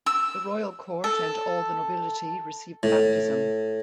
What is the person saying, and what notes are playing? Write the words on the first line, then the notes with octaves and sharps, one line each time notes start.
The royal court and all the nobility received baptism.
E6
A4
A2